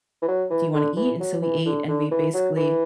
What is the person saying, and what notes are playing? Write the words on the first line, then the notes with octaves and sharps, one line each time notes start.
do you wanna eat?" And so we ate, and we basically
E3
F#3
E3
D3
E3
F#3
E3
D3
D3
E3
F#3
E3